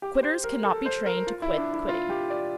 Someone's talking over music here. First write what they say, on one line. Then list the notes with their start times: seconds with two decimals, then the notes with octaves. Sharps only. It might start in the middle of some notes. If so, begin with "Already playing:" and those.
Quitters cannot be trained to quit quitting.
0.02 G4
0.23 C5
0.44 A#4
0.64 A4
0.86 C5
1.06 A#4
1.27 F4
1.42 E4
1.57 D4
1.73 E4
1.89 F4
2.10 G4
2.30 D5